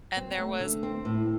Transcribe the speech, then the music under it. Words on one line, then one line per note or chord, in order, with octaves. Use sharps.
and there was
C4
A3
D3
C4
A2